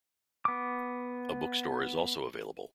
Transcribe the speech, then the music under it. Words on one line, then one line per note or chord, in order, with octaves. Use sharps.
A bookstore is also available.
B3 D6